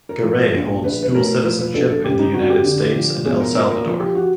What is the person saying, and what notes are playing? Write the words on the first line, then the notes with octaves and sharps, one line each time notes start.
Garay holds dual citizenship in the United States and El Salvador.
A#4
F3
A#1
A#1 B4
B4
A2 A#4
F3 B4
B4
A#1 A4
A4
F#1 G4
D#4
F2 F#4
G4
D3
F3
B1 G#4
A#4
A#2 A#4
A#4
F3
G4
F#4